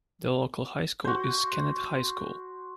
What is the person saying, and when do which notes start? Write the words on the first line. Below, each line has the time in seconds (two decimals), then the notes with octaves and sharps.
The local high school is Kennett High School.
1.04 F#4 C5